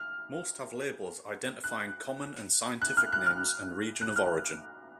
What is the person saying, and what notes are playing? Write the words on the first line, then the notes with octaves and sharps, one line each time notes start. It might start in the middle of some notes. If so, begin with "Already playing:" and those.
Most have labels identifying common and scientific names and region of origin.
Already playing: F6
F#6
F#6
F6
F#6
F6
F#6
F6